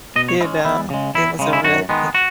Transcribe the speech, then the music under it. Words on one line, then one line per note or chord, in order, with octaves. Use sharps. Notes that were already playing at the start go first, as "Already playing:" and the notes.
You know, it was a real big
B2 D#5
C#5
G#3 C#4 E4
E2 E4
C#3 G#3
E2 E4
C#3 G#3
E4
F#2 F#4
D#3 G#3 B3
F#4